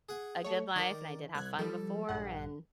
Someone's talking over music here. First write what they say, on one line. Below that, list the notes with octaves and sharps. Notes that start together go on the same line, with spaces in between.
a good life, and I did have fun before. And
G#4 F#5 G#5
A3 C#5
D#3 A#4 D5
C2 F#6 G#6
F3 G3 A4
A#1 G2 F#5